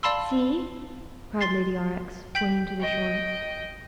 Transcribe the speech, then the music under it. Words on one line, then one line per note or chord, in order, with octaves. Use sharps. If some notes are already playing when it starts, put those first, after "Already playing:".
"See!" cried Lady Aurex, pointing to the shore.
D5 F5 A5 B5 C6 E6
C6 A6 C7
G5 G6 B6 F#7
D#5 G5